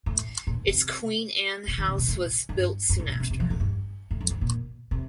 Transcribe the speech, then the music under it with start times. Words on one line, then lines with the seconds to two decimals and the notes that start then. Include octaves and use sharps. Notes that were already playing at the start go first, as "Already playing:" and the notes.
Its Queen Anne house was built soon after.
0.06 A2
0.47 A#2
0.67 C3
1.68 A#2
1.78 D3
1.88 C3
1.98 A#2
2.08 A2
2.49 G2
2.89 G2
3.00 A2
3.09 A#2
3.20 C3
3.30 C3
3.40 F3
3.50 A2
3.60 G2
4.11 A2
4.21 F2
4.30 G2
4.41 A#2
4.91 C3